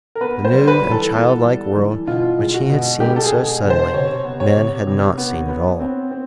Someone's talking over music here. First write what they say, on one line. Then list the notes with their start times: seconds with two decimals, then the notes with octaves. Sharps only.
The new and childlike world which he had seen so suddenly, men had not seen at all.
0.15 A#4
0.21 B3 B4
0.45 C5
0.52 G3
0.68 B4
0.83 E3
0.91 A4
1.14 B3
1.45 G3
1.76 E3
2.07 B2 F4
2.38 G#3
2.54 F#4
2.70 B2
3.00 G#3 G4
3.16 A4
3.24 G#4
3.32 B2
3.63 B2
3.70 C5
3.93 C3 C#5
4.25 B3
4.40 C#5
4.56 C3
4.87 C3
5.18 B3
5.49 B3
5.80 C4
6.11 C4